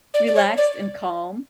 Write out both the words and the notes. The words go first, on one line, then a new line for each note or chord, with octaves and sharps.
relaxed and calm.
D5
D5
C#5
D5